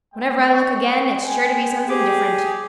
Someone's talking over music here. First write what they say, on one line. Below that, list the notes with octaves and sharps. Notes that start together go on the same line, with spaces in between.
Whenever I look again, it's sure to be something different!
G#3 A3 B3 G5
C#6
G#5
G4 G#4 D6